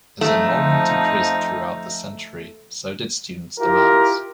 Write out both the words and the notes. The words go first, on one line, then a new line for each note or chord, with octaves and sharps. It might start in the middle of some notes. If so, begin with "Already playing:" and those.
As enrollment increased throughout the century, so did students' demands.
F2 F3 A3 D#4
E4 F4 G4 A#4